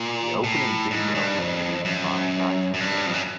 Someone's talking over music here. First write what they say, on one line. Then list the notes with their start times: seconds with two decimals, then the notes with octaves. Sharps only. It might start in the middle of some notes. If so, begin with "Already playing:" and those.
The opening video was produced by Nitroplus.
Already playing: A#2
0.44 A2
0.91 G#2
1.15 G2
1.39 F2
1.85 F#2
2.74 F#2
2.81 G2
3.06 F2
3.13 F#2